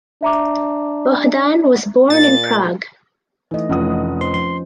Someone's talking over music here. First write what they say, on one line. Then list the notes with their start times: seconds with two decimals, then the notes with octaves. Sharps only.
Bohdan was born in Prague.
0.23 D4 E5 A#5 D6
2.10 A#2 A6
3.51 E3 A3 D#4 D#5
3.69 F1 C#4 F4 F#5 D#6
4.21 C5 C6
4.34 F3 C6